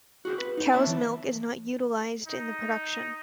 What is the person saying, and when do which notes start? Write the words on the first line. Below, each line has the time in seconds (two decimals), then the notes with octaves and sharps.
Cow's milk is not utilized in the production.
0.25 F#4 G#4 C5
0.38 B4
0.57 D#4
0.72 B3 C#5 E5 A5
0.87 E3
2.27 D#4